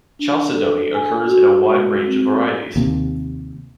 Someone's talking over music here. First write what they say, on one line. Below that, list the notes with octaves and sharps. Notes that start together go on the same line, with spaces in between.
Chalcedony occurs in a wide range of varieties.
D4
A4
G#5
F#4
G#3
C4
D#2 C3